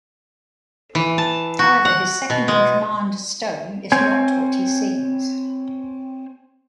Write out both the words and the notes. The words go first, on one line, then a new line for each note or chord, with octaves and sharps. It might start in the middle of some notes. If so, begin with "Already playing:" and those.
However his second in command Stone is not what he seems.
E3
A5
F#4
F#5
B2
G#3
C4 C#5 G#5